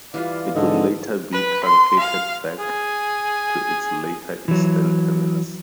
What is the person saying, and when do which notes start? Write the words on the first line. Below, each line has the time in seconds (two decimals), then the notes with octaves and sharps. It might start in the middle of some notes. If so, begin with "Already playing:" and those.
It would later be truncated back to its later eastern terminus.
0.14 E3 G3 F4 D5 F5
0.56 G#2 D3 A4 D#5
1.32 B4
1.64 C6
1.99 F5
2.60 G#4 G#5
4.48 E3 F#3